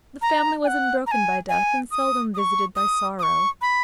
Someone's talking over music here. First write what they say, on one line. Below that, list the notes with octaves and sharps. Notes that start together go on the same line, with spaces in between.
The family was unbroken by death, and seldom visited by sorrow.
A#5
G#5
F#5
A#5
G#5
G#5
D#6
D#6
C#6
D#6
D#6
C#6
B5